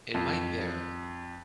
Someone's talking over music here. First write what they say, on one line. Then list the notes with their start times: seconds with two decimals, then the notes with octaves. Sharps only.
It might be a
0.14 F2